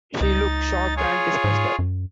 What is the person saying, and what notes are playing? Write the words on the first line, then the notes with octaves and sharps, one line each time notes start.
She looks shocked and disgusted.
C#2 D#4 A6
F4 G#4 C#5
G#2
F#2